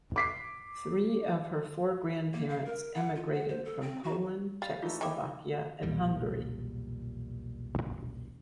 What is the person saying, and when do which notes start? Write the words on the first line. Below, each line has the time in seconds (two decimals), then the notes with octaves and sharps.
Three of her four grandparents emigrated from Poland, Czechoslovakia, and Hungary.
0.16 D6 B6 C7
2.34 A#3
2.49 F5
2.66 A#4
2.94 F#5
3.16 F4
3.33 F#5
3.49 C5
3.65 A4
3.81 C4
4.04 F#4
4.62 G3 F5 A6
4.82 E3 A3 D#4 F4
5.01 D#3 E4 G5 D6
5.83 B1 E2 A#2 G3